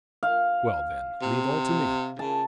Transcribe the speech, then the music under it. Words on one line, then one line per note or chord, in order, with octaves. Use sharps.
"Well then, leave all to me!"
F5
C3
C#3 A5